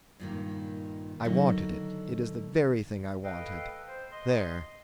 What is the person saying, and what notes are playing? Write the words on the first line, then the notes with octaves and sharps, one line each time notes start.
I wanted it: it is the very thing I wanted--there.
G2 A#2 D#3
D3 D#3 F#3
A4 B4 D#5 F5 G5
C5
D#5 C6